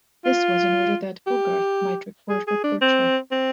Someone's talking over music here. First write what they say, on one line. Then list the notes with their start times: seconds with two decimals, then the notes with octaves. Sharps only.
This was in order that Hogarth might record her portrait.
0.25 F4
1.27 G4
2.29 G#4
2.47 G#4
2.64 D4
2.81 C4
3.32 C4